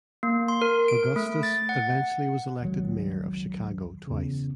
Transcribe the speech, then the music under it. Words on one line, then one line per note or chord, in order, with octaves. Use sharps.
Augustus eventually was elected mayor of Chicago twice.
A#3
C6
A#4
D7
A3
A6
F#5
G#1 C#2 D#3 F#3
E2 C#3